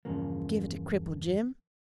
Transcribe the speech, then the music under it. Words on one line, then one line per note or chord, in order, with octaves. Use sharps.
"Give it to cripple Jim."
E2 G2 C#3 F3 A#3